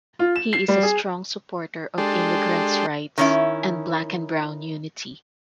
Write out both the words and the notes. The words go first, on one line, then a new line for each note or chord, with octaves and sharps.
He is a strong supporter of immigrants rights, and black and brown unity.
F4
E7
C7
G3
G#4
G#3 D4 G4 A4 C6
D#3 C#4 E4